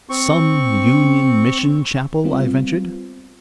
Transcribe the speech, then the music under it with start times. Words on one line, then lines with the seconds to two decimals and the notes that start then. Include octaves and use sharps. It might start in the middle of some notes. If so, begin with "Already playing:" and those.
"Some Union Mission chapel?" I ventured.
0.09 C4 C#6
2.24 G3 B3 C4 F4